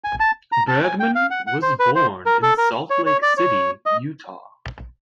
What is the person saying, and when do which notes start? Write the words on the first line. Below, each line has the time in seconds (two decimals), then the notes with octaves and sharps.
Bergman was born in Salt Lake City, Utah.
0.04 G#5
0.20 A5
0.52 A#5
0.68 A5
0.84 G#5
1.00 G5
1.15 F5
1.31 F#5
1.47 F#5
1.62 C5
1.79 B4
1.95 C5
2.26 A#4
2.42 A4
2.58 A#4
2.90 C#5
3.06 C#5
3.22 D5
3.37 C#5
3.86 D#5